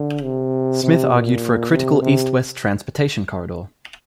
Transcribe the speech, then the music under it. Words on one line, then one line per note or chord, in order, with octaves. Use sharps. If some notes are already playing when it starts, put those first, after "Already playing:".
Smith argued for a critical east-west transportation corridor.
Already playing: D3
C3
C3
A#2
C3
C3